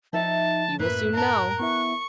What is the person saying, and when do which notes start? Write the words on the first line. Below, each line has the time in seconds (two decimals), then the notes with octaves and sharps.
"You will soon know."
0.13 F3 D#4 E5 G5 A5
0.79 F#2 A2 A#3 B4 E5 F#6
1.13 A#4 F5 A5
1.60 B3 E4 E5 C#6